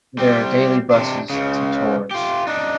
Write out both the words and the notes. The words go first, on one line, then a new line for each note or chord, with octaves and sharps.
There are daily buses to Tours.
G3 C4
C3 D4
C#2 C#3
F4 G4
D4 D#4